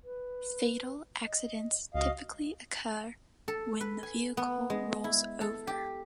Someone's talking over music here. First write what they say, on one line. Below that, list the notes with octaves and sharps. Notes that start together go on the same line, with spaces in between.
Fatal accidents typically occur when the vehicle rolls over.
B4
D#5
C#2 F#4 D#5 F5
A4
B4
G#5
B3
G#3
E4
A4
G4